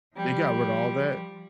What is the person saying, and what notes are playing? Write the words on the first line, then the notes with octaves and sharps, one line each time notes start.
They got rid of all that,
F3 G3